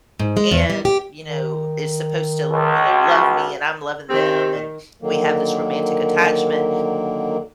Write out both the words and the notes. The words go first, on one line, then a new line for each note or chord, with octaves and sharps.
and, you know, is supposed to, you know, love me and I'm loving them, and we have this romantic attachment.
G#2
G#3
E2
G3
G4
D#3
C#2
F#4
D#3 C4 G4
D3 D#3 F#3 A#3